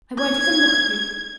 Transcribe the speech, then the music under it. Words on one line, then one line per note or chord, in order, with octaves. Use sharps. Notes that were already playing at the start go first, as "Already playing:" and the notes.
I won't even look at you.
G#6